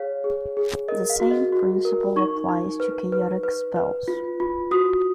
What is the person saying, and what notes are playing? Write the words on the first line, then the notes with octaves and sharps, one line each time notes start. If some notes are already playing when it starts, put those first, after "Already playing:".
The same principle applies to chaotic spells.
Already playing: G#4 C#5 F5
G#4
G#4
A#4 D#5
F5
F#4
D#5
F#4
A#4
D#4 C#6
D#4
B4
B4
B4
B4
F4
F4
F#4 D#6